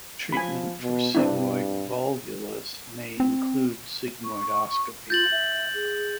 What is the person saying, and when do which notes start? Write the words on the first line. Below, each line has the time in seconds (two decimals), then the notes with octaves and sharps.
Treatment for sigmoid volvulus may include sigmoidoscopy.
0.32 F3 G#5 B5
0.81 B2
1.15 G2 C4 D4 E4
3.20 C4
4.25 C#6
5.10 F4 G6 A6 F#7
5.31 E5
5.74 G#4